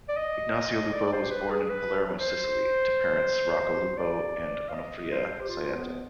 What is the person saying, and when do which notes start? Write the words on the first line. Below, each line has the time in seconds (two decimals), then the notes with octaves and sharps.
Ignazio Lupo was born in Palermo, Sicily, to parents Rocco Lupo and Onofria Saietta.
0.08 D5
0.17 D#5
0.93 D5
1.07 D5
1.13 C5
1.31 B4
1.50 G#4
1.69 B4
2.20 C5
3.97 D5
4.69 F5
4.74 D#5
5.11 C5
5.41 G4
5.49 F4
5.74 B3